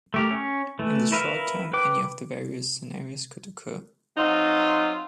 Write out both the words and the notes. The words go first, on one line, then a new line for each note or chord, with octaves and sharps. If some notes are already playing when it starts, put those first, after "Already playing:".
In the short term, any of the various scenarios could occur.
A3 G4 A#4
C#4
E3 A3
E4 A#4 B4 E5 F5
B4 G5 D6
F#3 C4 D#4 F4